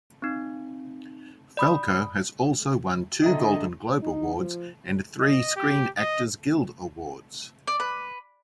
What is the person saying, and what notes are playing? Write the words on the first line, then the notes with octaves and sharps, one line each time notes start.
Falco has also won two Golden Globe Awards and three Screen Actors Guild Awards.
C4 D#4
D5 B5 D#6
D3 D4 D#5 E5 A#5
D#4
F3
D#5
G4
D#5
D5
B4